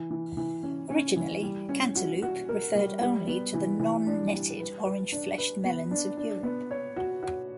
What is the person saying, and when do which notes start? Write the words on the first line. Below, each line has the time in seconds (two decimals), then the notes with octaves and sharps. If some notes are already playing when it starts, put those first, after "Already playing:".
Originally, "cantaloupe" referred only to the non-netted, orange-fleshed melons of Europe.
Already playing: E3
0.11 E3
0.37 E3
0.63 C#4
0.90 C#4
1.16 E3
1.43 G3
1.69 C#4
1.95 F#4
2.22 F#4
2.49 A#4
2.75 G3
3.01 G3
3.27 B3
3.54 E3
3.79 E3
4.07 D4
4.33 G3
4.59 B4
4.85 B4
5.12 D4
5.38 B4
5.65 B3
5.91 D4
6.17 D4
6.43 B3
6.71 C#5
6.96 F#4
7.23 F#4